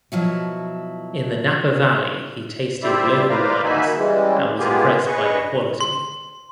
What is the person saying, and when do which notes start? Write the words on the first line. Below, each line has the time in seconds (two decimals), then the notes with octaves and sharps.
In the Napa Valley he tasted local wines and was impressed by their quality.
0.12 B2 F3 F#3 E4
2.83 G3 E4 C5 D5 E5
3.30 B4 C5 D5 F5 A#5
3.64 A#3 D#4 F#4 E5 G#5 B5
3.97 C#3 E3 G3 G#3
4.58 G#3 A#3 B3 F4 G4 G#4
5.06 G#4 B4 D#5 C#6
5.81 C6